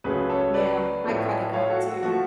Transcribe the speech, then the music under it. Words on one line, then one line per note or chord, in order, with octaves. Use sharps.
Yeah, I cut it out too.
C#2 C#3 F#3 A3 G#4 B4
A4 C#5
B4 D5
A2 F3 A3
C#5 F5
F#4 A4
F#4
F3 A3 F#4